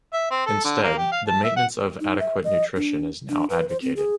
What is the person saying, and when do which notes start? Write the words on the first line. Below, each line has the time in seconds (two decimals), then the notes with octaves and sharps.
Instead, the maintenance of adequate nutrition is now advocated.
0.14 E5
0.31 C4
0.46 A4
0.64 D3
0.83 A#3
0.98 G4
1.12 F5
1.27 A5
1.44 E5
1.57 F#5
2.00 D#4
2.20 E5
2.44 D#5
2.76 D4
3.29 D4
3.50 B4
3.69 C5
3.82 C4
3.96 G#4